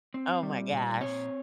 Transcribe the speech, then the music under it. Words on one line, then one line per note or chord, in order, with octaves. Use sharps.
Oh my gosh.
C4
G3
A#2
C4 C#5